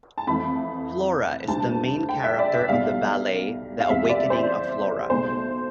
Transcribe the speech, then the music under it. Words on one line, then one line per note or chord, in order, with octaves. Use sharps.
Flora is the main character of the ballet "The Awakening of Flora".
A5
F2 E3 A3 B5
D2 D3 G3 A5
G5
E5
D5
E5
B1 B2 G3 F5
F5
E2 C3 E3 G3 E5
D5
C5
B1 B2 A3 C5